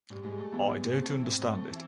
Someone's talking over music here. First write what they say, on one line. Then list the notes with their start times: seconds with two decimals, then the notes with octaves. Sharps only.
I don’t understand it.
0.10 G#2 G3
0.23 G#2 G#3
0.38 A3
0.53 E3 B3
0.67 G#2
0.81 G#2
0.96 A3 C4
1.10 E3
1.24 G#2
1.38 G#2
1.52 A3
1.68 E3